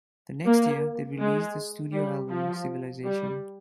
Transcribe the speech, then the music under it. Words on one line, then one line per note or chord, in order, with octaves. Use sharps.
The next year, they released the studio album "Civilization".
A#3
G#3
G3
F3
G3